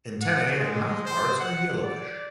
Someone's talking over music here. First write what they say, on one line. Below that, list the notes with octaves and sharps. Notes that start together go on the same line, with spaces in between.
Antennae and mouthparts are yellowish.
F#5
G#3
C5
F#5
D5